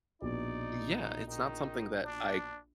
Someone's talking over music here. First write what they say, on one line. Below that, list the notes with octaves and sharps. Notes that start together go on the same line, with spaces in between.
yeah, it's not something that I
A#1 B2 D#4 D5
D#3 D#4
D4 D5